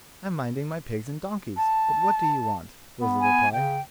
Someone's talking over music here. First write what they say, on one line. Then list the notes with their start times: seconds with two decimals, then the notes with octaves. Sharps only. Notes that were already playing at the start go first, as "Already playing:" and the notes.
'I'm minding my pigs and donkeys; but what do you want?' was the reply.
1.56 A5
3.01 B3
3.21 G#5
3.53 C#3 G5